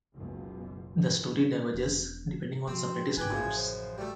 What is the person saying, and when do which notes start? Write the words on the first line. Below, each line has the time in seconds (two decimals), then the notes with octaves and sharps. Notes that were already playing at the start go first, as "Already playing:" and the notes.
The story diverges depending on separatist groups.
0.16 F#1 C#2 B2
1.74 E1
2.68 F3 C4 F#4
3.17 G#2 E4 G4 B4 G#5
3.30 A1 F#2 C#3 F3
3.57 C5
3.98 G3 A3 F#4